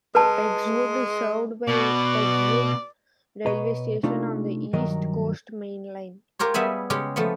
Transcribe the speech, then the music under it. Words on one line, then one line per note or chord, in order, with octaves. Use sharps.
Pegswood is served by Pegswood railway station on the East Coast Main Line.
G#3 B4 A5
B2 D5
B2 B4 C#5 D#5 A#5
C3 A3 D4 D#4 F4
G2 D#3 F#3 A#4 D#5
F4 G4 A#4 C5 C#5
G3 B3 G#4 E5 G#5
C#3 G#3 C#4 G4
F3 A3 B3